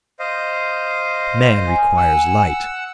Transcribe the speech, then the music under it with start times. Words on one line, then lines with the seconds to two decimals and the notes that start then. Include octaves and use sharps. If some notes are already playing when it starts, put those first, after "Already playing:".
Man requires light.
0.19 C5 D#5 F5
1.66 G#5
1.97 F#5 E6